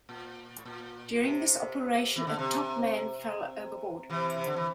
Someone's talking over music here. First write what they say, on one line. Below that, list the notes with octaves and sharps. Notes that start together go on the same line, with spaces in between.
During this operation, a topman fell overboard.
A#2
A2
A#2
C3
E3
D3
C3
C3 E3
C3
D3
E3